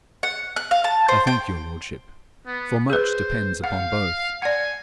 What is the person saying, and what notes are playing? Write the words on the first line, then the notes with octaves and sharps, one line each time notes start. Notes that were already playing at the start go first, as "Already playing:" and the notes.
'I thank your lordship, for much depends upon both.
F#5
F#6
F5
A5
C5
G5
B3
G#4 B4 C5
F5 F#5
D5 F#5 G#5